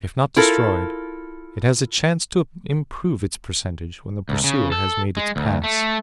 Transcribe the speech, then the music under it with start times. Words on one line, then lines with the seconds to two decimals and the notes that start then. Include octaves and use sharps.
"If not destroyed, it has a chance to improve its percentage when the pursuer has made its pass."
0.36 E4 F4 A4 A#4
4.29 C#2
4.44 C#3
4.72 A4
5.17 G#3
5.36 D2
5.64 A3